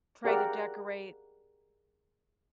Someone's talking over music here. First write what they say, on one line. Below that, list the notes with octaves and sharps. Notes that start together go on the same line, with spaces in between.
try to decorate
G4 G#4 A#4 D5 F5 F#5